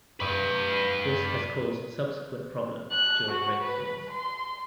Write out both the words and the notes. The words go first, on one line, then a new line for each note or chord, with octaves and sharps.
This has caused subsequent problems during rainstorms.
B4 D5
F#6
F#4
B4
C6